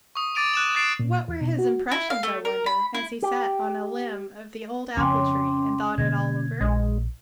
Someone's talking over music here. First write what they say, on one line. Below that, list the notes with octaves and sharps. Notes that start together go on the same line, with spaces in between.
What were his impressions, I wonder, as he sat on a limb of the old apple tree and thought it all over?
C#6 D#6
D6 A6 D7 D#7 F7
F#6 E7 F#7
F#6 A6 C7 D7 E7 F7
A#2
E2
B2
F#4
E4
F5
A3
A#4
B5
E4
G4
F2 C#3 C#4 G5 C6 D6
B2 D3 A#3 G#6
A#1 G#3